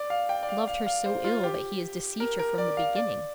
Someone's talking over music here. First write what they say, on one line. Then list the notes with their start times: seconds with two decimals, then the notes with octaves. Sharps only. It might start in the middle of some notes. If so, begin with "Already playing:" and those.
'Loved her so ill that he has deceived her from the beginning.'
Already playing: D5
0.10 F5
0.29 G5
0.43 D5
0.49 F5
0.67 F5
0.86 F5
1.06 C5
1.24 F4
1.44 G4
2.20 A#4
2.39 A#4
2.58 D5
2.77 F5
2.96 D5